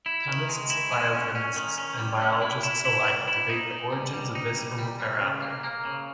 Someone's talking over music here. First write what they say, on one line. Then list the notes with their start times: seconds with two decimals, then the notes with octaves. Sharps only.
Chemists, biochemists, and biologists alike debate the origins of this homochirality.
0.06 E4
0.27 D#3
0.49 G#3
0.70 E4
0.92 G#3
1.13 C#4
1.35 C#4
1.56 D#3
1.78 C#4
1.99 G3
2.21 C#4
2.42 E4
2.63 E4
2.85 E4
3.06 G3
3.28 E4
3.49 D#4
3.71 D#4
3.92 G3
4.13 G3
4.35 D#4
4.57 G3
4.79 G3
5.00 G3
5.21 C#3
5.42 A#3
5.64 A#3
5.85 C#3